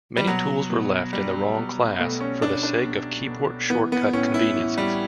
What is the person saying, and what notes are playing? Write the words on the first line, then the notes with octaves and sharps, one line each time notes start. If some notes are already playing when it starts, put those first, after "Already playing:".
Many tools were left in the wrong class for the sake of keyboard-shortcut conveniences.
G3
B2 F#3
B2
B2 G3
B2
B2 A3
C#4
B2 D4
D4
B2
B2
E3 B3
B3
A2 C#4
E4
E3
G3